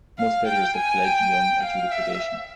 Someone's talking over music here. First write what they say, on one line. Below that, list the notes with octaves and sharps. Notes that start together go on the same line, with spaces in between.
Most failures to fledge young are due to predation.
F5
G5
G#5
G5
F5
E5